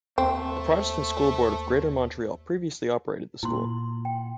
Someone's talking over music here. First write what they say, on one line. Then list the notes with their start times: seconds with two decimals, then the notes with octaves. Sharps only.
The Protestant School Board of Greater Montreal previously operated the school.
0.18 D#2 A3 C4 C5
3.43 A#2 E4 C6
4.05 G5